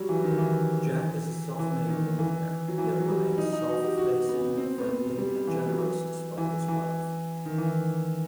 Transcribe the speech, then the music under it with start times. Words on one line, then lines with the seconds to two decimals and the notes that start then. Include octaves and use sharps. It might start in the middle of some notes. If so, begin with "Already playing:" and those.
Jack is a self-made millionaire, yet remains self-effacing, friendly and generous despite his wealth.
Already playing: F#3 G3
0.09 E3
0.24 D#3
0.38 E3
1.59 E3
1.89 D#3
2.19 E3
2.68 F#3
2.78 E3
3.00 F#3
3.08 G3
3.38 D#4
3.53 D#4
3.68 F#4
3.83 G4
3.98 F#4
4.29 B3
4.58 C4
4.78 B3
5.18 G3
5.48 E3
5.69 F#3
5.78 E3
6.38 E3
6.68 E3
7.46 D#3
7.58 E3